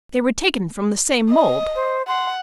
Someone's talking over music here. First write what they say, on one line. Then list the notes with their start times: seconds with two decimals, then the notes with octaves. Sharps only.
"They were taken from the same mould."
1.30 D#5
1.75 C5
2.08 F#5 C6